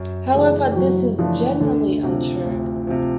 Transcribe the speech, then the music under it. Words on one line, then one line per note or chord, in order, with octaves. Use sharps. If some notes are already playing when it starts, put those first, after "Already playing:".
However, this is generally untrue.
Already playing: F#2
C#3 E3 G#3 A3 D4 G#4
G4
F#2 F#3 F#4
C#3 E3 F3 A3 D4 F4
D2 D3 D4
C3 F3
D2
C3 F3